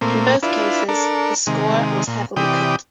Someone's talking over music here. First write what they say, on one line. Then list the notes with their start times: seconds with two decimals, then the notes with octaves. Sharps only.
In both cases, the score was heavily cut.
0.01 A#2 A3 A#3 C4
0.43 D4 E4 F4 B4
0.89 D4 A4 A#4
1.47 C3 D#3 G#3
2.07 A#2
2.36 C3 E3 G4 D5 G5 D#6